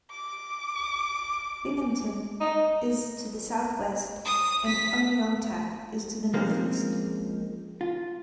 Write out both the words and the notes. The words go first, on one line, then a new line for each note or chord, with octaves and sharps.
Binghamton is to the southwest, and Oneonta is to the northeast.
D6
D#4
D#6
B6
F3 G#3 A#3 C4 C#4 D#4
F4